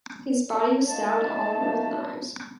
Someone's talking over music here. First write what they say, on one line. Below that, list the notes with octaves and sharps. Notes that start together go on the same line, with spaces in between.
His body was stabbed all over with knives.
A3 A#3 D#4 A5